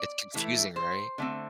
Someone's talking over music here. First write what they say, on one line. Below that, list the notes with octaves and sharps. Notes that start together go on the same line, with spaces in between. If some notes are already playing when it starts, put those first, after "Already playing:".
It's confusing, right?
Already playing: D5
A2 E3 A3 E4
C5
D3 A3 C4